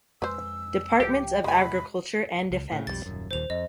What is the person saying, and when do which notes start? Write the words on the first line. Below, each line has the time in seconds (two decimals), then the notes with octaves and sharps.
Departments of Agriculture and Defense.
0.22 F2 G#3 B4 C5 E6
1.00 C#2 A2 F3 G4
1.44 E2 C3 G#3 G#5 B5
2.52 C#2
2.72 A2 C#3
2.87 B1 F2 G3 A6
3.06 D#1 F#2
3.31 D#1 D#2 C5 F7
3.50 F2 D#5